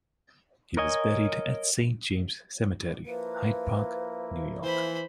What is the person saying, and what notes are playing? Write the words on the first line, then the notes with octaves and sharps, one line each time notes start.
He was buried at Saint James Cemetery, Hyde Park, New York.
A#4 C#5 D#5 G#5
F3 A#3 E4 B4
E3 C5 B5